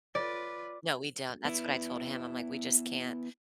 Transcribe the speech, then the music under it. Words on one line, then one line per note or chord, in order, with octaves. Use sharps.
No, we don't. That's what I told him. I'm like, "We just can't
F4 B4 D5
B3 E4